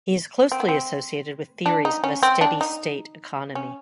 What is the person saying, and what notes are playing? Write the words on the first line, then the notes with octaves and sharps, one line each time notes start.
He is closely associated with theories of a steady-state economy.
C4
B3
C4
D4
D#4
C#4
C4
D4
D#4
C#4